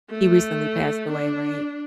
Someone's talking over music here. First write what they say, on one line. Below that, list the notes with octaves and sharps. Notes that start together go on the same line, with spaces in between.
he recently passed away, right,
A3
D4